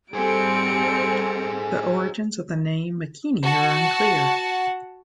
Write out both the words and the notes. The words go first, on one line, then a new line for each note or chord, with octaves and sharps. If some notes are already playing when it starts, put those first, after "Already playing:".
The origins of the name Makeni are unclear.
G3 C4 G#4 A4 C5 G#5 C#7 D7
F#4 F#5 A5